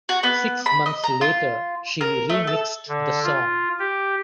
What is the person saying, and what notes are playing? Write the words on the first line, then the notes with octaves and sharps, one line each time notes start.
Six months later she remixed the song.
F#4
B3
B5
D#5
A#5
F4
A#4
A3
A4
D3
F4
G4